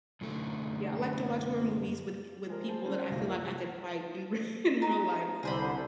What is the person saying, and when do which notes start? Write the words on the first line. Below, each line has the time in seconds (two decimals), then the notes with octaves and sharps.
Yeah, I like to watch horror movies with with people that I feel like I could fight in rea in real life.
0.21 F#2 D3 A3
2.48 F3 G#3 A#4
2.68 G#4 C5 A5
2.85 G3 C4 C#4 G#4 C5
3.10 C2 F#2 A2 C3 F5 A#6
3.26 F3 A#3 F4 G#4 A#4
4.82 D#4
5.43 C2 D3 G#4 C5 B5